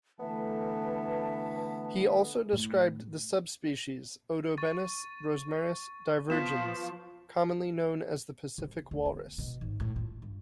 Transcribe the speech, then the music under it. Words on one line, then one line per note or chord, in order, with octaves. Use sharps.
He also described the subspecies "Odobenus rosmarus divergens", commonly known as the Pacific walrus.
D3 E3 A3 B3 B4 E5 A5
B3
A2
C#6 A6 D#7
F3 B3 F4 B6 E7
C3
D2
B3
B2
G#1
A2
F4
G2